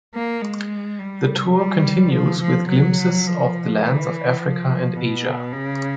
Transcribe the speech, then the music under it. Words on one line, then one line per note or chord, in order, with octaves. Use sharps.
The tour continues with glimpses of the lands of Africa and Asia.
A#3
G#3
G3
G3
F3
F3
F#3
F3
E3
F3
B2
C#3